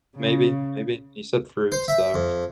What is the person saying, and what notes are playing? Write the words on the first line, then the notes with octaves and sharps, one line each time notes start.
maybe maybe. You said fruits, so,
C#3
C5
E5
F2